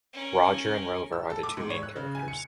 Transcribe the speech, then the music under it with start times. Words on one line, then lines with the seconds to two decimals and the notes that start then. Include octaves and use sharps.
Roger and Rover are the two main characters.
0.13 C#4 A#4
1.13 E6
1.30 A4
1.43 D6
1.57 G#2
1.70 C#5
1.83 F#6
1.96 C#3
2.15 G#5
2.28 C#7